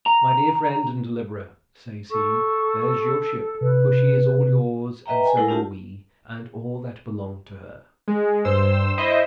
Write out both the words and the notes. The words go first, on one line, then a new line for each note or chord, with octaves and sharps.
"My dear friend and deliverer," says he, "there's your ship; for she is all yours, and so are we, and all that belong to her."
A#5
A4 C#6
C3 B4
B4 D#5 E5 G5 A#5
G#5
G#3 E4 A4 A#4 F#5
D4 F4 G4 F#5 A5
G#3
G2 C5 E6
E4 C5 D#5 E5